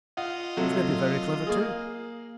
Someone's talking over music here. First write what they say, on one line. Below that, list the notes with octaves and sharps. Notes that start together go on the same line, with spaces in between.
This may be very clever too.
F4 D#5 F#5
C3 F#3 A3
A#3 G#4